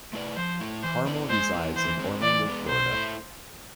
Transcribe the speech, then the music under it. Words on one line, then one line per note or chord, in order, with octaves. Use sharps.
Harmel resides in Orlando, Florida.
A3 E4 B4 D5
F3 C5
A3 E4
E3 C5
B3 E4 B4 D5
G#3 C5
B3 E4
E3 C5
G#3 C4
E3 D5
G#3 B3
B2 C5
A3 E4